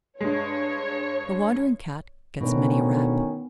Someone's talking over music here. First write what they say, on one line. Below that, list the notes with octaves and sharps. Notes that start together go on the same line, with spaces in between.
"The wandering Cat gets many a rap."
G2 G#3 C#5
D2 B2 D#3 C#4